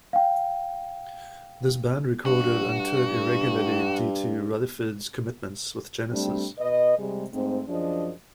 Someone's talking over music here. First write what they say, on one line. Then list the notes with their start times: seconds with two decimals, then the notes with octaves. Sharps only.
This band recorded and toured irregularly due to Rutherford's commitments with Genesis.
0.13 F5 G5
2.26 G2 F#4
6.12 G3 A3 C4 D4
6.59 B2 B4 D#5
6.98 C3 G3 G#3
7.32 G#2 A3 C4
7.68 F#2 F3 D4 G#4 D#5